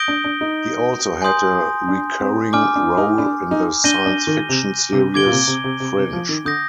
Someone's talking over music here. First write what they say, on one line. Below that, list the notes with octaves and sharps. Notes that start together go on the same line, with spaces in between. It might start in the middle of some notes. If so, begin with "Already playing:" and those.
He also had a recurring role in the science fiction series "Fringe".
Already playing: D#6 G6 A#6 D7 G7
D4
D4
D#4
G#5 C6 D#6 G6
D4
C4
D4 G#5 D6 F6
D4
D#4
D4
D#4
D4 G6 A#6 D#7 G7
D4
D#3
C3
C3
D3 D6 G#6 D7 G7
A#2
C3
C3
C3
C3
C3
F3
D#3
D3 D#6 G6 A#6